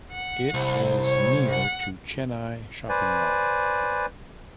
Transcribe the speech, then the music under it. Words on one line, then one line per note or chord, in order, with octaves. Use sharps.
It is near to Chennai Shopping Mall.
F#5
C2 C5
C#5
F#5
B4 C5 D5 G#5